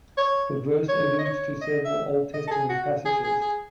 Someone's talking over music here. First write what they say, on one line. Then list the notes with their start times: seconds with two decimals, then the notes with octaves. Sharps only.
The verse alludes to several Old Testament passages.
0.17 C#5
0.89 C#5
1.19 D#5
1.25 C#5
1.61 D#5
1.85 E5
2.34 D#5
2.47 A4
2.51 G#4
2.70 F#4
3.05 G#4
3.23 G#4
3.41 G#4